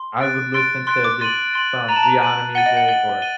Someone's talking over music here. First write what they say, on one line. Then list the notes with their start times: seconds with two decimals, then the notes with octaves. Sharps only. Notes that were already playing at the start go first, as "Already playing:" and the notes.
I would listen to just some Rihanna music or
Already playing: C6
0.20 F#6 A6 D7
0.54 C6 F#6 A6 D7
0.87 C6 F#6 A6 D7
1.04 D6
1.21 C6 A6 D#7 F#7
1.54 C6 A6 D#7 F#7
1.88 A#5 A6 D#7 F#7
1.96 A5
2.03 A#5
2.22 A6 D#7 F#7
2.55 F#5 A6 D#7 G7
2.66 D#5
2.77 F#5
2.88 F#5 A6 D#7 G7
3.22 D#7 G7